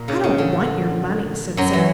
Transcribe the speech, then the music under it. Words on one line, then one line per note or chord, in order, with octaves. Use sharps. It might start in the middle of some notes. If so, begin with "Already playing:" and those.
"I don't want your money," said Sara.
Already playing: A#2 A#3
C#3
C#3
D3
F#2 F#3
E3